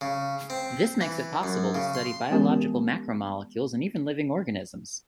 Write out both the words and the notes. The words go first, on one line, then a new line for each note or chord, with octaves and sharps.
This makes it possible to study biological macromolecules and even living organisms.
C#3
C4
E3
F#2
C#3
C6
E3 G#3 B3 C#4 G4 A#4